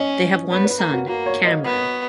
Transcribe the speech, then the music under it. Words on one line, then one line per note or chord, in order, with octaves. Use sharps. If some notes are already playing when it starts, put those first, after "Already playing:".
They have one son Cameron.
Already playing: C#4 C#5 D#5
B3 C#5
B4
A#3 A#4
F#4
A#3 F#4
C#5
D#5
B3